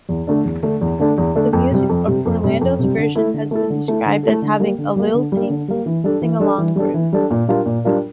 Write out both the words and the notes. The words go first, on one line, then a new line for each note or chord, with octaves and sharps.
The music of Orlando's version has been described as having "a lilting, sing-along groove".
E2
D3 A3 D4 A4
E2
D3 A3 D4 A4
E2
D3 A3 D4 A4
E2
D3 A3 D4 A4
F2
C3 G3
F2
C3 G3
F2
C3 G3
F2
C3 G3
D3
A3 E4 A4
D3
A3 E4 A4
D3
A3 E4 A4
D3
A3 E4 A4
D3
G3 A#3
D3
G3 A#3
D3
G3 A#3
D3
G3 A#3
E3
G3 D4 A4
E3
G3 D4 A4
E3
G3 D4 A4
E3
G3 D4 A4
A#2
G3 D4 F4 A#4
A#2
G3 D4 F4 A#4